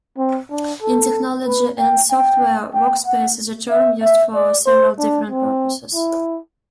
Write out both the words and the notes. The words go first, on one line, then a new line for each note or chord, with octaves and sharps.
In technology and software, "workspace" is a term used for several different purposes.
C4
D4
A4
B4
G5
G5
G5
F#5
E5
E5
D5
C5
D4
C4
E4